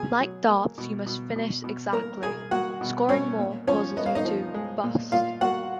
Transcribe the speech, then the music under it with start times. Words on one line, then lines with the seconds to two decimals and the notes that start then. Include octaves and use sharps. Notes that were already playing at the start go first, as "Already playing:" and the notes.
Like darts you must finish exactly - scoring more causes you to "bust".
Already playing: B2 G#4 G#5
0.20 F#3
0.49 A#3
0.78 B2
1.06 B2
1.36 B2
1.64 B2
1.93 A#3 A#4 A#5
2.23 B2 G#4 G#5
2.51 A#3 F#4 F#5
2.81 B2
3.09 B2 C#4 C#5
3.39 A#2
3.67 F3 C#4 C#5
3.97 B3 D#5
4.06 F5
4.15 D#4 D#5
4.25 F3
4.54 G#3
4.84 A#2
5.12 A#2 F4 F5
5.41 A#3 F#4 F#5